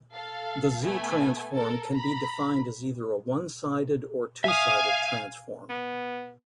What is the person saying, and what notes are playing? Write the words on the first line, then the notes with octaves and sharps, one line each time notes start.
The Z-transform can be defined as either a "one-sided" or "two-sided" transform.
A4 F5
A3 B3 G#5
A4 A#4
A#5 B5
E5 F5 G#5 D#6
B3